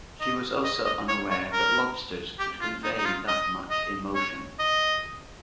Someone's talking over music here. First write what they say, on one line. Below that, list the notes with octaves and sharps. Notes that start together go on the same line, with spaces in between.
She was also unaware that lobsters could convey that much emotion.
D#5
D#5
D#5
C#5
C#5
A#4
G4
F4
D#4
D#4
F4
D#5
D#5
C#5
D#5